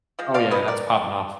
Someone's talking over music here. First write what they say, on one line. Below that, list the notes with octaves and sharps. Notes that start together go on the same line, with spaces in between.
Oh, yeah, that's popping off.
F3 G#3
D5 F5
B4 D#5
A#4 D5